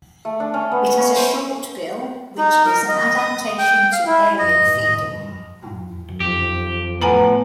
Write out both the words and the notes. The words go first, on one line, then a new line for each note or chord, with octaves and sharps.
It has a short bill, which is an adaptation to aerial feeding.
A3
D4
C#4
B3
C#5
C5
D#4
A#4
D#5
D#6
G5
F5
E4
D#5
F2 G4
A2 B3 G#5 A#5 B5